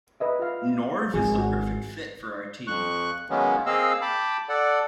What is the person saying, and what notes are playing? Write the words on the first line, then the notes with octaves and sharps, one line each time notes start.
Norv is the perfect fit for our team.
B4 D#5 E5
F4 B4 F5
G#1 G#3 G#4
F#4
F2 C#6 F#6
D#3 F#3 G#3 A#3 B3 C#4
A#3 C4 G#4 D#5 F5 E6
G5 A5 B5 D6
A4 D5 F#5